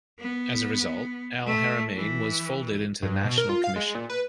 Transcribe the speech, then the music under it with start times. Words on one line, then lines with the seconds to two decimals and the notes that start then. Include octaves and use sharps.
As a result, Al-Haramain was folded into the National Commission.
0.20 B3
1.46 A3
1.96 E3
3.02 G2
3.24 B2
3.38 A#4
3.49 F4
3.64 F5
3.76 G#3
3.95 A#2
4.10 B4